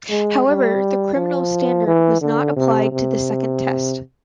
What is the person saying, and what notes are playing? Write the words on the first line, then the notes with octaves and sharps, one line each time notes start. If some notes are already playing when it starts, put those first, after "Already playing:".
However the criminal standard was not applied to the second test.
G#3
G3
F3
E3
D3
C3
C3